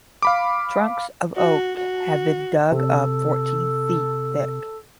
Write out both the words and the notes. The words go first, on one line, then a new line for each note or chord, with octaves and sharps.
Trunks of oak have been dug up fourteen feet thick.
F5 B5 D6
F#4
F#4
C3 A4